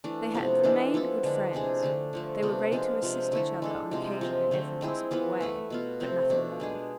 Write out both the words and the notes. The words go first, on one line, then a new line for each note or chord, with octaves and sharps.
They had remained good friends; they were ready to assist each other on occasion in every possible way; but nothing more.
E3 A3 D4
C3 F3 B3
E3 G#3 D4 A4
F3 B3 E4 A4
D3 G#3 D4
C3 G#3 D4 G#4
D3 A3 D4
D3 F3 A3
C3 F3 B3 D4
F3 G#3 D4 F4
C3 F3 G#3 D4
D3 A3 E4 A4
G#3 D4 A4
C3 F3 G#3
F3 G#3 C4
D3 A3 C4
G#3 C4 E4 G#4
E3 B3 F4 B4
A3 E4 B4
B2 B3 F4
C3 F3 A3 C4
B2 A3 D4
G#3 D4 G#4